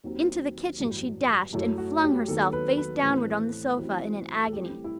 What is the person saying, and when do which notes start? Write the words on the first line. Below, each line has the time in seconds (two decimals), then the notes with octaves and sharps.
Into the kitchen she dashed and flung herself face downward on the sofa in an agony.
0.04 D#2 D#3 F#3 C4
0.79 A1 G2 F#3
1.53 F#2 F#3 A3 E4
1.78 F#4
2.03 G4
2.28 D#2 D#3 F#3 B3 A4
2.53 B4
2.77 B4
3.02 A1 A2 E3 A3 C4
3.77 A1 A2 F#3 C4
4.45 A4
4.52 A1 A2 G3 C4 G4
4.84 E4